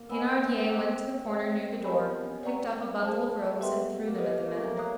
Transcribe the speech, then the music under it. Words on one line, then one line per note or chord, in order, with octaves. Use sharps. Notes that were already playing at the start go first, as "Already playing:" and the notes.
Thenardier went to the corner near the door, picked up a bundle of ropes and threw them at the men.
Already playing: A#3
B3 C5 D#5 G#5 B5 E6
C4
C#4
B3
C4
F#5 A#5 D6 F#6
G#4 C#5 E5 G5
C4 G4 A#4 D#5 G#5 B5
B3
C#4
C4 B4 D5 F#5 A#5 C#6
G#4 C5 F5 A5
G#3
A3
A#3
B3 G4 B4 E5 G5 C6
A#3
B3 G4 B4 D#5
A#3
A3
A#3
C#5 F5 A#5 D#6 F#6